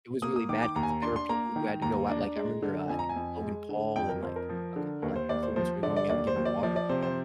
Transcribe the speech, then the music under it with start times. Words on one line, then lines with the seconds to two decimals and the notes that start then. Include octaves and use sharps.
it was really bad 'cause there were people who had to go out like, I remember, uh, I think, like, Logan Paul and, like, a couple of, like, influencers were going out and giving water to them
0.22 A#3 D#6
0.36 D#6
0.49 D#3 D6
0.62 D6
0.76 D#2 A#5
0.83 G#5
0.89 A#5
1.03 D4 C6
1.16 C6
1.29 A#3 A#5
1.56 D#3
1.82 D#2 A#5
2.09 D4
2.36 G#3
2.62 D3
2.89 F2 G#5
2.99 A#5
3.09 G#5
3.16 F2
3.43 G#3
3.69 D3
3.96 F2 G5
4.09 A#4
4.22 F2 C5
4.36 A#4
4.49 F3
4.76 D3
5.02 D#2 A#4
5.16 C5
5.29 D#2 D5
5.43 C5
5.56 F3 C5
5.83 D3 D5
5.96 D5
6.10 D#2 D5
6.27 C5
6.36 D#2
6.45 D5
6.63 F3 D5
6.76 D5
6.89 C3 C5
7.02 C5